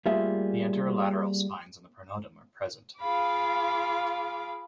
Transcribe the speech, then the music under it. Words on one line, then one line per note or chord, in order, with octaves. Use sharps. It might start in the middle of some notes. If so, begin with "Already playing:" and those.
The anterolateral spines on the pronotum are present.
G3 A3 A#3 F4 G#4 E5
F4 G#4 F5 B5 D6